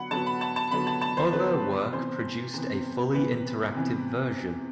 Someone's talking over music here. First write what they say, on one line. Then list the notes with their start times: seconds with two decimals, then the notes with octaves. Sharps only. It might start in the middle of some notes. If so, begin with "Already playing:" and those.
Other work produced a fully interactive version.
Already playing: D3 F#3 B3 F#5 B5
0.11 D3 F#3 B3 A5
0.26 B5
0.41 A5
0.56 A5
0.71 D3 F#3 B3 B5
0.87 A5
1.01 A5
1.17 C5
1.33 D3 F#3 B3 B4
1.92 C3 E3 B3 C5
2.54 C3 E3 B3
3.14 C3 E3 B3 B4
3.75 C3 E3 B3